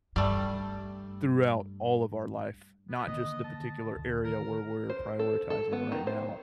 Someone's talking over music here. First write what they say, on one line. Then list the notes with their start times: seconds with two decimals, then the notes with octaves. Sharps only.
throughout all of our life, not just the particular area where we're prioritizing right now,
0.16 G2 G3 A3
2.91 B3
3.08 D3 D#3 A#3 D#5
3.44 A5
3.97 D1 D3
4.25 D#3 A#4
4.90 C5
5.19 A4
5.50 A4
5.72 B3
5.92 D#3
6.07 C5